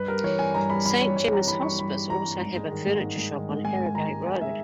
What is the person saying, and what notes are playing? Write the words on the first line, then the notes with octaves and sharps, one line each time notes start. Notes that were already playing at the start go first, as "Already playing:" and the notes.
Saint Gemmas Hospice also have a furniture shop on Harrogate Road.
Already playing: G2 B4
G3 A#4
E3 C#5
G2 G#5
G2 A#5
G3 B5
E3 B5
G2 C#5
G2 C#5
G3 A#5
E3 B5
G2 C#6
G2 B5
G3
E3 A#5
G2
G#2
G#3
D#3
G#2
G#2
G#3
D#3
G#2
G#2 G#5
G#3
D#3 A#5
G#2
G#2 G#5
G#3 E5